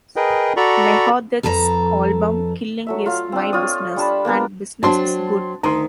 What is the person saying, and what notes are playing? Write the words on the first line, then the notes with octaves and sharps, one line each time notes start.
Megadeth's album Killing Is My Business...And Business Is Good!
G#4 A#4 B4 D#5 G5
F#4 A4 D5 A#5 B5 C#6
F2 A4 B4 G#5 A#5
F#3 A3 E5
F4 F5
C4 D4
F4 C#5 D#6
G3 D4 A5 B5
A#3 B3 D4 A#4
F#3 C4 D4 A5 C6
D2 D#3 A#5 C6